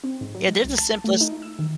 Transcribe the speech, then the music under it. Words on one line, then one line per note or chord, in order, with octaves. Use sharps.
Yeah, there's the simplest
C4
G#2
F#3
G#3
C2
A5
A3
D#4
E6
D#3